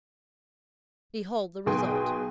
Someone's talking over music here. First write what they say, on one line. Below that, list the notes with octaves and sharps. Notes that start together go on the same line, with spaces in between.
Behold the result!
B1 B2 G#4 G5 G#5 C6